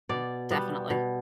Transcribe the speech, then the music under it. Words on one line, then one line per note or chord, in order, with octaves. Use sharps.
M definitely.
B2 D5
G3 B3
B2